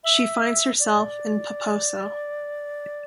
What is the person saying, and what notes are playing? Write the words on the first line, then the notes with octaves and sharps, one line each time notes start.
She finds herself in Paposo.
E5
D5